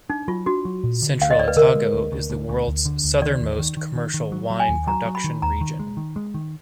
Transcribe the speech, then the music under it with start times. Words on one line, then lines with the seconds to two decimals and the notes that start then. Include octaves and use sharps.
Central Otago is the world's southernmost commercial wine production region.
0.09 D4 D#4
0.28 F#3 F4
0.46 D4 F#4
0.65 F#3
0.84 A#2
1.02 D3
1.21 D2 F5
1.30 D#5
1.38 D2 D5
1.48 B4
1.56 D3 A#4
1.75 G#3
1.93 D2
2.12 D2
2.30 D2
2.49 D2
2.67 D2
2.85 D3
3.04 D2
3.22 D#3 D5
3.41 D#2
3.59 D#3
3.77 D#3
3.95 D#3
4.14 D#3
4.32 F#3
4.50 F#3
4.60 G#5
4.68 D#2
4.87 F#3 A#5
5.05 F#3
5.15 B5
5.24 D#3
5.42 D#2 A#5
5.61 D#3
5.80 G#3
5.97 D#3
6.16 G#3
6.34 D#3